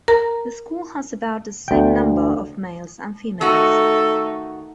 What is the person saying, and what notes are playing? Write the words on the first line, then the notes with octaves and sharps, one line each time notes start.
The school has about the same number of males and females.
A#4 A#5
D2 G5
D#3 A3 D#4 F#4 A4